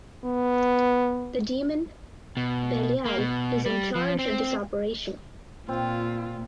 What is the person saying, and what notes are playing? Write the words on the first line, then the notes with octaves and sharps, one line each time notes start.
The demon Belial is in charge of this operation.
B3
B2
A#3
B2
G3
F3
C4
A#2 C4 F4